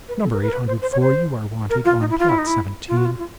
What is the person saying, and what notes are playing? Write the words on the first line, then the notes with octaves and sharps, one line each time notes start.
"Number Eight Hundred Four, you are wanted on Plot Seventeen."
B4
A4
A#4
B4
A#4
B4
C5
C5
C#5
C5
A#4
F4
D#4
E4
F4
E4
D#4
E4
F4
F#4
F4
F4